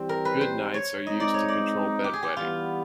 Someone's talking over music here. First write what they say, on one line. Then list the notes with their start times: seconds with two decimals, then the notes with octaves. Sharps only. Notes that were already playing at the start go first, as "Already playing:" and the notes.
GoodNites are used to control bedwetting.
Already playing: E3 G3 C4
0.09 A#4
0.25 B4
0.41 C5
0.74 C#5
1.06 G#3 C4 D#4 D#5
1.20 D5
1.34 C#5
1.48 D5
2.04 G4
2.13 G#4
2.23 G4
2.37 E3 G3 B3 F4